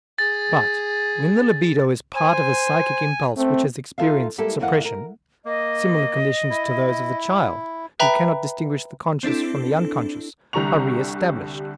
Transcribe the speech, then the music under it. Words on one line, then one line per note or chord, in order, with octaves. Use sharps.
But when the libido is part of a psychic impulse which has experienced suppression, similar conditions to those of the child, who cannot distinguish the conscious from the unconscious, are reestablished.
G#4 A6
C5 G#5
A3 C4
D#4 F4 A4 E5 F5
G3 G#3 A#3 E4 G4 A4
F#2 E3 A#3 D#5 F5 F#5
A#4
A#3 D#5
E4
B4 E5 G5 A#5 B5
C4 D4 E4 A4
C2 D3 G3 A#5 C#6 F7